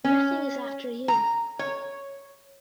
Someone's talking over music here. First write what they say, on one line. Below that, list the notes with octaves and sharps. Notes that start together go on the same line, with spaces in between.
Nothing is after you.
C#4
A#5
C#5